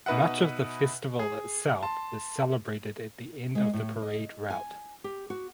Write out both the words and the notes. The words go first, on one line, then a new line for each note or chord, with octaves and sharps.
Much of the festival itself is celebrated at the end of the parade route.
B2 D#4 B4 E5 F#5
G#4
A5 C6
G#3
A2
D#5
G#5
G4
F#4